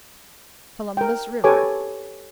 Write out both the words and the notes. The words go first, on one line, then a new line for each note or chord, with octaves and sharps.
Columbus River.
A#4 G5
G4 A4 B4 C#5 G#5 D6